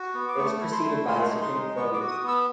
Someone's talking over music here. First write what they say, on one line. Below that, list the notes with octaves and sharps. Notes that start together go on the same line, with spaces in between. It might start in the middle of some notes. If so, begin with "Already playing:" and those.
It was preceded by the Supreme Soviet.
Already playing: F#4
B3
D6
A3 C#6
E4
C6
A3
G#3 C6
D#4
C6
G#3
B3 C#6
D6
F#4
D#6
B3
E6